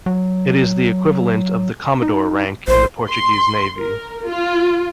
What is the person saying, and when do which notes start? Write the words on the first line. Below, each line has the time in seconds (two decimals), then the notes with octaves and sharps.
It is the equivalent of the commodore rank in the Portuguese Navy.
0.06 F#3
2.02 D#4
2.68 A#1 C5
3.10 C6
3.79 A#4
4.29 F4